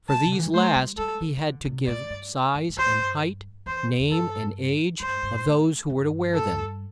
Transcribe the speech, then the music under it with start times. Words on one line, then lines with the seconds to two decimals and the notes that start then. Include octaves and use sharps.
For these last he had to give size and height, name, and age, of those who were to wear them.
0.09 G3 A5
0.24 C3
0.32 D3
0.39 E3
0.46 G3
0.54 A3 C5
0.75 G3
0.98 G3 A4
1.21 E3
1.37 E3
1.43 D3
1.65 C3
1.87 A2 D5
2.10 G2
2.55 G2
2.69 G2
2.77 E2 C5
2.99 G2
3.66 E2 C5
4.00 E2
4.11 G2 A4
5.00 G2 C5
5.23 G2
5.45 A2
5.90 G2
6.34 A4